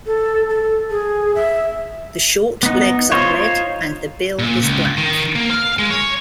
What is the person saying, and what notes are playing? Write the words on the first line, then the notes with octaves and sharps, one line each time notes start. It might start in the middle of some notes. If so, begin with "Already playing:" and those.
The short legs are red and the bill is black.
A4
A4
G#4
E5
B3 D#4
D#4 F4 C5 C#5
A#2
C#2
D#3
A#3
F5
G#3
C#5